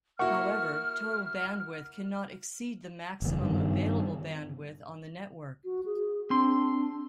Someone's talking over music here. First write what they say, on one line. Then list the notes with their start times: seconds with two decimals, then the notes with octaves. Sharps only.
However total bandwidth cannot exceed the maximum available bandwidth on the network.
0.19 A#3 E4 F#4 F#5 C#6 F6
3.22 F#1 E2
3.41 G2 D#3
5.64 F#4
5.86 G#4
6.30 C4 D4 C6